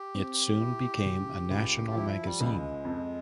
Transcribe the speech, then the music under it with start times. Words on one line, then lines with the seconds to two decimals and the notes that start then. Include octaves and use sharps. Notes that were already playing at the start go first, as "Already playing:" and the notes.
It soon became a national magazine.
Already playing: G4
0.15 C4
0.61 E4
1.05 C#3
1.50 C#2
1.90 F4
1.95 F3 E4
2.25 G3
2.40 C#2
2.56 G#3
2.85 F2